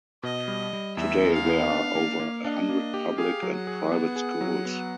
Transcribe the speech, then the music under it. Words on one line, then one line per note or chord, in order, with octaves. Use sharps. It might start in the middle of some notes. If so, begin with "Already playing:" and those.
Today there are over a hundred public and private schools.
B2 D#5
G3
G3
E2 E5
E2
F5
B3
D4
A#3
A#3
D4 D#5
A#3
G4
G#4 F5
F#3
F#5
G#4
B3
G#4
F#3
B3